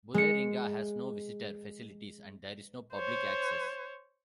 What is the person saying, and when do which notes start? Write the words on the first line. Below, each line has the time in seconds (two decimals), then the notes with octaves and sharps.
Bulleringa has no visitor facilities and there is no public access.
0.14 G#3 C#7
2.94 C5 C#5